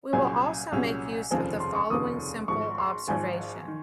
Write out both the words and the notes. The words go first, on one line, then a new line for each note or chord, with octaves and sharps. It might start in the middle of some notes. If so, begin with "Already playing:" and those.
We will also make use of the following simple observation.
C2 A#2 F#3 C#4 G#4 G#5
C2 A#2 F#3 C#4 G#4
F1 D#2 C#3 F3 C4 G#5
C6
C#6
F1 D#2 C#3 F3 C4 D#6
G#1 G#2 F3 C#6
C6
G#1 G#2 F3 G#5
D#3